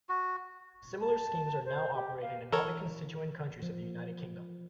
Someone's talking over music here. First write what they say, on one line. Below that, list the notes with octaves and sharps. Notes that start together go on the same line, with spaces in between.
Similar schemes are now operated in all the constituent countries of the United Kingdom.
F#4
A5
C5
G4
F5
E3 A4 A#4 C#5
F3